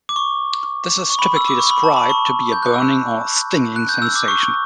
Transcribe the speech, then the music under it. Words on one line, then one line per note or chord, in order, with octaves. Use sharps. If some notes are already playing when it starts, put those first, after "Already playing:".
This is typically described to be a burning or stinging sensation.
D6
C#6
C#6
B5
E6
D6
C#6
B5
A5
B5
C#6
G6
F#6
E6
F#6
G6
E6
D6
C#6